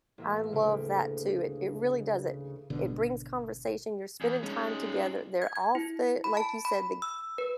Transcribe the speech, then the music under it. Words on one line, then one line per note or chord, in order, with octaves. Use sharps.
I love that too. It it really does it. It brings conversation, you're spending time together, they're off the like you said, the
A1 A#3 E5
D2 C#3
G#1 B2 D3
E2
G#3 C#4 D#4
G#6
G#6
E4
B5
A5
B5
E6
B4